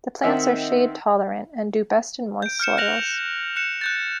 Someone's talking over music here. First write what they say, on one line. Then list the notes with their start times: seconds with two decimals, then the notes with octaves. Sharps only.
The plants are shade-tolerant and do best in moist soils.
0.23 D#3 C4 D#4 E5 F#5
2.42 G6 D7
2.60 F6 G6 C#7 E7
2.77 F6 F#6 A#6 F7 F#7
3.56 F#6 C#7 E7
3.81 F#6 G6 A6